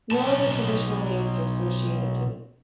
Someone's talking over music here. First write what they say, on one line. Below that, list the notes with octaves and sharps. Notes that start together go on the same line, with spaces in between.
No other traditional names are associated to it.
B1 A5